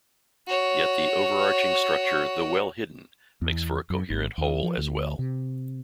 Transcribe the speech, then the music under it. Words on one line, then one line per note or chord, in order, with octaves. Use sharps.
Yet the overarching structure, though well hidden, makes for a coherent whole as well.
F#4 C#5
E2
F#2
G#1
D#2
F3
D2
C3